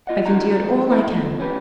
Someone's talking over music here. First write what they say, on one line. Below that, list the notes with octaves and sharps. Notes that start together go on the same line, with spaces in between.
I've endured all I can.
F4 D#5 F#5
F#2 A2 D4 F#4 A#5
G#2 F3 A3 C4
B2 D#4 E4 A#4 B5
B2 F3 A3
C#4 G4 B4